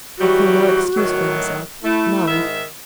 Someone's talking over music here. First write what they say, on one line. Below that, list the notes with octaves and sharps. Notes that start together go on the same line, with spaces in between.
I feel no excuse for myself, none.
E3 F#3 G3 F#4
A2 D#3 F#3
A3 E4
G#2 D#3 E5